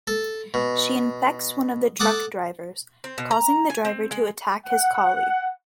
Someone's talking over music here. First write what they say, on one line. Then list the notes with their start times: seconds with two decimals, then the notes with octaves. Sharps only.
She infects one of the truck drivers, causing the driver to attack his colleague.
0.07 A4
0.54 B2
2.00 A4 F#5 D6 D#6
3.04 C4
3.18 B2
3.31 A#5
3.70 G#5
3.85 C4
4.11 G#3
4.66 F#5